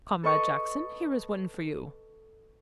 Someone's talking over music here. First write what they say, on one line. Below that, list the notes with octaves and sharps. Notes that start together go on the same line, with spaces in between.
Comrade Jackson, here is one for you.
A4 B4 D#5 C#6